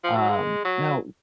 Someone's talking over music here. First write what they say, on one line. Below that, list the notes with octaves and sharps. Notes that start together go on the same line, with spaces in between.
um, now,
F3
F#3
G#3
F#3